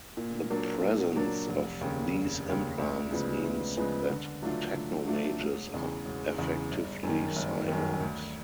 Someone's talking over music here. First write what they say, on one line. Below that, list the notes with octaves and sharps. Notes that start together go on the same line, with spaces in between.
The presence of these implants means that technomages are effectively cyborgs.
A#2
F#3 A#3 D4
A#2
F#3 A#3 D4
F1
D#2 C#3
F1
D#2 C#3
D2
C#3 F3 G#3 B3
D2
C#3 F3 G#3 B3
D3
F#3 A3 D4 F4
D3
F#3 A3 D4 F4
E1
E2 C#3
E1
E2 C#3
G1
F#2 D#3
G1
F#2 D#3
D2